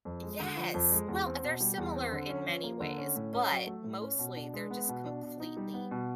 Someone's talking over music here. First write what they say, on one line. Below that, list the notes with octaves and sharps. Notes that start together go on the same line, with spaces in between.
Yes! Well, they're similar in many ways, but mostly they're just completely
F2
G#3
D3
F3
F2
G#3
E2
C4
B2
G3
E2
C4
D3
C#4
F3
A#3
D3
C#4
A2
C#4
F#3
A3
A2
C#4
B2
D4
G#3
B3
B2
D4
B2
D#4
G3
B3
B2